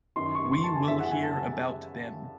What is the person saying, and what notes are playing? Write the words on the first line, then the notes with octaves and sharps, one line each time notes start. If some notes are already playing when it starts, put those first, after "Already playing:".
We will hear about them.
F#2 D#3 C6
C#6
C6
A5
G#5
F#2 C#3 E3 E5
F#5
G#5
A5